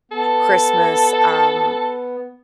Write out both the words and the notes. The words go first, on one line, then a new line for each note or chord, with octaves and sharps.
Christmas, um,
B3 A4